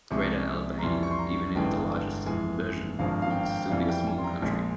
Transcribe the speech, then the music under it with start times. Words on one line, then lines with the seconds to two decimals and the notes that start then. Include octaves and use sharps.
Greater Albania, even in the largest version, would still be a small country.
0.11 C2 C3 F3 G#3 C#6
0.79 A#5
0.83 F2 E3 G3 C6
1.03 C#6
1.11 C6
1.19 A#5
1.55 G1 G2 E3 G#3 G5
2.26 F2 E3 G#3 G#5
2.99 G#1 G2 F3 G#3 F5
3.22 F5
3.30 G5
3.39 F5
3.46 G5
3.70 F2 E3 G3 F5
3.88 G5
4.07 G#5
4.18 C6
4.24 A#5
4.42 A#1 A#2 G#3